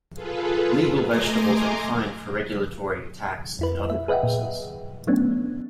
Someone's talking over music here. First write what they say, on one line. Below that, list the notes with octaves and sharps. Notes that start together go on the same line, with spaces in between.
Legal vegetables are defined for regulatory, tax and other purposes.
F4 G#4 A4 B4
A3 D#5 G#5 A#5 C6 D6
F2 E4 B4
E5
G#4 B4 D#5 E5 F#5 G5
A#2
F#3 A3 B3 C#4 D4